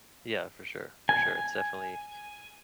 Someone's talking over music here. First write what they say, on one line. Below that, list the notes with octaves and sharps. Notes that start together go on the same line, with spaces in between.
Yeah, for sure, for sure. It's definitely
G#5